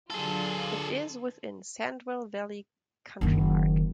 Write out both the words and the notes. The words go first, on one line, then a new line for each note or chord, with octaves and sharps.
It is within Sandwell Valley Country Park.
D3 F#3 F4 G#4 A4
F#1 D#3